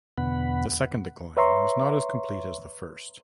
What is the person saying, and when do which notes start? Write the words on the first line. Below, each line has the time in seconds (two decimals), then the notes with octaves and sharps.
The second decline was not as complete as the first.
0.18 E2 B2 D3 B3 F#5 B5
1.37 B4 C#5 E5 A#5 C6 C#6